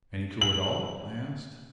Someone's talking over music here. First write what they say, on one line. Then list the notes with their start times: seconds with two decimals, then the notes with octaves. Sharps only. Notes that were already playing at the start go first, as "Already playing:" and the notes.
"Any clew at all?" I asked.
0.41 F#7